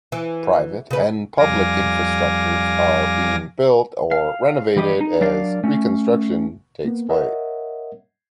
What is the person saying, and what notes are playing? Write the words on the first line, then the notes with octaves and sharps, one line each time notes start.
Private and public infrastructures are being built or renovated as reconstruction takes place.
E3
C#3 B4
F2 G3 F5 G#5 D6 A#6
F5
E3 G3 G4 D#5
D#4
F#3 D4 A#4 D5 F5
A3 C#4
A#3 B3
A#4 C#5 D#5 E5 F#5